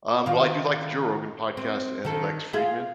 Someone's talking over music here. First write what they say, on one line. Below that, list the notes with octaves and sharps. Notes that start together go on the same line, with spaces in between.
Um, well, I do like the Joe Rogan podcast and Lex Friedman.
D#3 F4
C4
D#3 A4
F4 G#4 E5